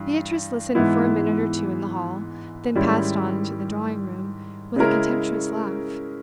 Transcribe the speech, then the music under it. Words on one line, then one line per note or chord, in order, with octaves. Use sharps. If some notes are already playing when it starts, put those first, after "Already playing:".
Beatrice listened for a minute or two in the hall, then passed on into the drawing-room with a contemptuous laugh.
Already playing: G2 E3
G#2 E3 G#3 B3 E4
G#2 D#3 G3 C#4 E4
C#3 G#3 C#4 E4 A#4